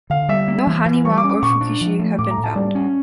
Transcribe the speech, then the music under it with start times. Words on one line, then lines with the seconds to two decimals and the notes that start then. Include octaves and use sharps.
No "haniwa" or "fukiishi" have been found.
0.10 D3 F5
0.29 G3 E5
0.48 A#3
0.67 E3
0.85 E3
1.05 G3 C#6
1.18 D6
1.24 C#4
1.29 D6
1.42 A#2 C#6
1.61 D4
1.81 F3
1.99 A3
2.18 A2 D6
2.31 A#5
2.37 A2
2.44 A5
2.55 G3 D5
2.75 C#4